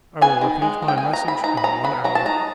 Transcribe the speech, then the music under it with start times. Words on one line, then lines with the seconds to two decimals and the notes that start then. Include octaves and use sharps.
I will repeat my message in one hour.
0.21 B3 G#5
0.41 D#3
0.62 G#3
0.82 D#3
0.88 G5
0.98 G#5
1.03 B3
1.13 A#5
1.23 D#3
1.28 B5
1.44 D#4 A#5
1.57 B5
1.64 F#3 A#5
1.84 B3 B5
2.04 F#3 A#5
2.15 A5
2.25 D#4 A#5